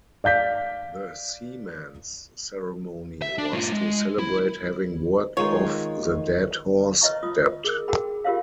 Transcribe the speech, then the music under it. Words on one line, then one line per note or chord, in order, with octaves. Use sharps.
The seaman's ceremony was to celebrate having worked off the "dead horse" debt.
D5 F5 G6 B6
E5
D4 A5
A2 F4
G#3
E4
D#3 G#3 F4 C#5
B4 C#5 D#5 E5 A#5 C#6
F4 D#6
G#4 A#4
F#4 G#4 A#4 G5 B5
F4 G4 A#4 C#5 E5 F5